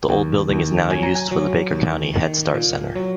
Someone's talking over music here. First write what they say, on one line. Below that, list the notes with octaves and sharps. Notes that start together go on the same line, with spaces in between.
The old building is now used for the Baker County Headstart Center.
D#2
D#2
F#3 G#5
A#5
G#5
F#3
D#2
D#3
A#2
F#3